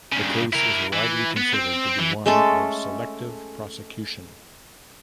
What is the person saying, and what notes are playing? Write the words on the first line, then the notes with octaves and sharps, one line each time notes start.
The case is widely considered to be one of selective prosecution.
G2 C#3
E4 A#4
E3
B3
C4
E3
G#3 A3 C#4 A4